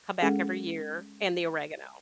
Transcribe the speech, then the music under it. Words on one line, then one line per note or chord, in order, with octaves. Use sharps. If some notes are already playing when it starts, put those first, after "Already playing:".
come back every year, and the oregano,
G#3 C#4 G#4 A4 F#5